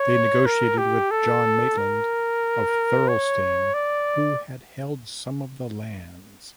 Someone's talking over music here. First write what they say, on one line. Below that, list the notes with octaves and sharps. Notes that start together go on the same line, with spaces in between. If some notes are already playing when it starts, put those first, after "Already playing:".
They negotiated with John Maitland of Thirlestane who had held some of the lands.
Already playing: C#5
A#4
G4
A4
A#4
C#5
D5